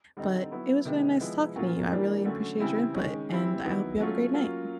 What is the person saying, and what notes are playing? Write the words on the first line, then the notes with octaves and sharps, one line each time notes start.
But it was really nice talking to you. I really appreciate your input, and I hope you have a great night.
D3 G3 C4 D#4
F#3 B3 E4
C3 D#3 G#3 B3
F3 G#3 B3 E4
A#2 F#3 A#3 C#4 F4
E3 G3 A#3 D4
D3 F#3 A3 C#4
C#3 E3 G3 C4 E4
D#3 G#3 C#4
E3 G3 C4 E4
D#3 F#3 B3 E4
F#3 A3 C#4 F4
F#3 A#3 C#4 F4